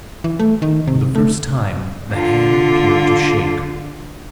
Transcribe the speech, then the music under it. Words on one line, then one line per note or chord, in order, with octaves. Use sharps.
For the first time the hand appeared to shake.
E3
A3
D#3
C3
A3
D3 F4